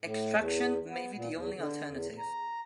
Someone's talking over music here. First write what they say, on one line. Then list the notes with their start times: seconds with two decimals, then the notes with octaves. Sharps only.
Extraction may be the only alternative.
0.02 A2
0.36 E2
0.88 B3
1.16 A#2
1.34 E2
1.56 D3
1.89 E2
2.18 A#5